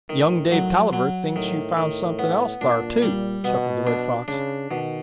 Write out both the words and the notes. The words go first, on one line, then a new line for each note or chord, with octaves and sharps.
"Young Dave Tolliver thinks you found somethin' else thar, too," chuckled the Red Fox.
A2 D#3
F#3
F#3
A2 D#3
A2 D#3
B3
A#2 D4
G3
B2 B3
D4
C#3 D4
B2 D#3